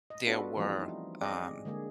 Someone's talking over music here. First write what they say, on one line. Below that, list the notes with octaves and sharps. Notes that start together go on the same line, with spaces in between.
there were, um,
D#5
B3 D4 F4 F#4 A4 B4
E3 F3 G3 A3 C4 F4
D#4
C4 G#4 D5 D#5
D3 G#3 A#3 G#4